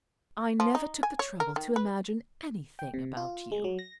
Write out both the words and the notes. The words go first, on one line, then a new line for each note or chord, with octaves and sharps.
"I never took the trouble to imagine anything about you."
F3
D#4
G#5
C#5
A#4
D#3
B4
G5
C3
F4
G#3
F#3
A#6